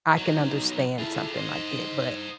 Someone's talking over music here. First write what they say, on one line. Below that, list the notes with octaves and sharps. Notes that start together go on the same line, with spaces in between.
I can understand something like that, but
B1 F#3 D#4
E4 F4 G#4 A4
D#4 C5 D#5